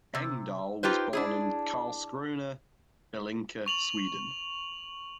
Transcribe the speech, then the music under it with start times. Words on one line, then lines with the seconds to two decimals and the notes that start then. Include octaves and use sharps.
Engdahl was born in Karlskrona, Blekinge, Sweden.
0.15 C3
0.83 D#4 F4 G4 B4 C5
1.13 D4 E4 G#4
3.66 C#6 F7 F#7